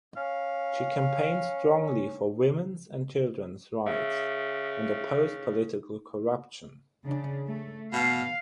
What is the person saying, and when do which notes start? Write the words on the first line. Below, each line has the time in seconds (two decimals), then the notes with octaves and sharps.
She campaigned strongly for women's and children's rights, and opposed political corruption.
0.17 C#4 F5
3.87 C#3 E5
7.05 C#3 D4
7.46 A3
7.93 B2 F5